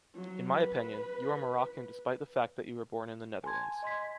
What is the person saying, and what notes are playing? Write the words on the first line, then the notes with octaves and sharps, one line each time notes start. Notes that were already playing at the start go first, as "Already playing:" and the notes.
In my opinion, you are Moroccan despite the fact that you were born in the Netherlands.
F#3
B4
G#5 A5 C6 G#6
D#5 C6 G#6 B6